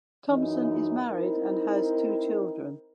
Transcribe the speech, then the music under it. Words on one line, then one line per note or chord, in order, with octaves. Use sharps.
Thompson is married and has two children.
F#2 E3 D#4
C4 D#4 E4 A#4